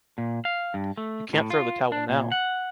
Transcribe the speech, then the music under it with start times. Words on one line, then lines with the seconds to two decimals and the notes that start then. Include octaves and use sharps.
You can’t throw the towel now!
0.18 A#2
0.45 F5
0.74 G2
0.97 A3
1.33 A2
1.50 F4
1.92 D4
2.09 A#2
2.32 F#5